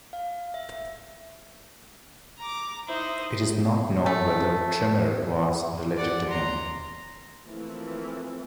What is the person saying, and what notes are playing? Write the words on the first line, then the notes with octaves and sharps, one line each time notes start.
It is not known whether Trpimir was related to him.
F5
E5
A#5 D6
D#4 E4 C5 D#5
A3
D5 F#5
A#5 C6
E3 F3 A3 A#3 C4